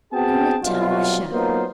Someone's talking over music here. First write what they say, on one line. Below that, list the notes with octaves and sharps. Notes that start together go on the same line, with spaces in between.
And Natasha!
B3 C4 F#4 G#4 G5 A5
C2 B2 F#3 F4
F#3 A#3 B3 D#4 F4 C5